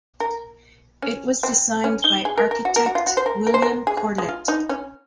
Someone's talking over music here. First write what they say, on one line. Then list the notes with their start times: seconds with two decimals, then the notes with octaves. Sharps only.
It was designed by architect William Corlett.
0.20 A#4
1.02 C#4
1.43 C4
1.84 C#4
2.04 D#4
2.25 G#4
2.38 A#4
2.51 A#4
2.65 F#4
2.76 A#4
2.86 F#4
2.95 F4
3.06 F#4
3.17 C5
3.26 A#4
3.47 A#4
3.54 C5
3.62 A#4
3.87 G#4
3.97 G#4
4.18 G#3
4.29 F4
4.48 D#4
4.69 C#4